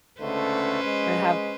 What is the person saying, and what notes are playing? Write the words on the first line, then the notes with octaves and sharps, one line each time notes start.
and have
C#2 D3 A3 C#4 B4 C5
G#3